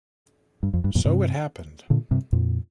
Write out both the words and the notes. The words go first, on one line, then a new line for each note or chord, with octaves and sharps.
So it happened.
G2
F2
G2
F2 A#2
G2 C3
A#2 D3
G2 C3
F2 A#2